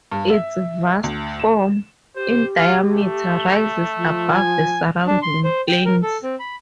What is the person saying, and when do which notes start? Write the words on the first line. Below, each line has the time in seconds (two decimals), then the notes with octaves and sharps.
Its vast form, in diameter, rises above the surrounding plains.
0.12 G2
0.30 E5
1.04 D2
1.40 E7
2.16 G4 C5
2.57 F4
2.90 A3
3.97 F3
4.33 G#5
5.07 D4
5.22 C6
5.44 C5
5.68 G5
5.85 A#4
6.02 A4
6.23 C4
6.39 B5